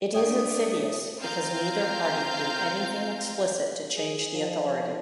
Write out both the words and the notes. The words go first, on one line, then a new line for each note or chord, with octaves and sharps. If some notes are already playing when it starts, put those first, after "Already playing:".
It is insidious because neither party did anything explicit to change the authority.
A3 D4 C#5 D5 G5 D#6
C4 F4 F5 A#5 G6
G#4
F3